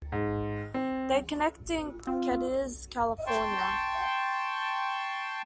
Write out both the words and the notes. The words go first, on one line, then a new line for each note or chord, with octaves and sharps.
They connect in Cadiz, California.
G#2
C4
C4 F4
G5 A5 C6 C#6